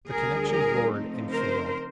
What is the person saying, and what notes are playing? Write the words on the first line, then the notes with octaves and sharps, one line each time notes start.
The connection roared and failed.
D2 D3 G3 G#4 A#4
G#4 A#4
C#3 F3 A3 C4 D#4
A#4 C5